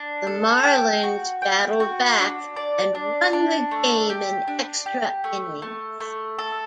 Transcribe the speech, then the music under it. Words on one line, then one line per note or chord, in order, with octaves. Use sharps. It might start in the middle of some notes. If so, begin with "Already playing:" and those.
The Marlins battled back and won the game in extra innings.
Already playing: D4
A4
G5
F#4
G5
F#4
D4
D5
D4
D4
A3
G4
D4
G4
A3
A3
A3
A4